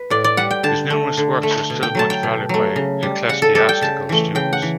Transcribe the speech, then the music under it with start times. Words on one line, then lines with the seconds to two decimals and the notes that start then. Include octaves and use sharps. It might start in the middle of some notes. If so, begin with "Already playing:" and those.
His numerous works are still much valued by ecclesiastical students.
Already playing: B4
0.10 A2 D5
0.24 D5
0.37 G3 F#5
0.51 G5
0.63 D3 A5
0.90 A3
1.17 D3
1.43 A3
1.70 B2
1.83 G5
1.95 F#3 A3 A5
2.10 G5
2.23 B2
2.49 F#3 A3
2.76 C#3
3.03 G3
3.29 C#3 F#5
3.42 A4
3.55 G3 A4
3.69 G5
3.81 C#3 A5
4.09 E3 A3
4.35 C#3 G5
4.53 F#5
4.62 E3